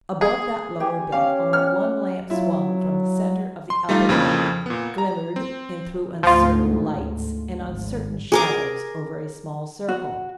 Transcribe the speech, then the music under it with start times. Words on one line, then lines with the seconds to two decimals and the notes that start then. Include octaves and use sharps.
Above that lower deck only one lamp, swung from the centre of the upper deck, glimmered and threw uncertain lights and uncertain shadows over a small circle.
0.21 G#4
0.80 G4 G#5
1.12 C#4 F5
1.53 F#5 F6
2.30 F#3 E4 F4 E5
3.70 C6
3.89 G3 A3 D#4 F4
4.09 F2 C#3 E3 F3 A#3 B5
4.66 A#2 B3
4.98 A#5
5.36 C4
6.23 D2 G#2 F3 F4
7.59 G#1
8.32 G#4 A#4 D6
9.89 F#4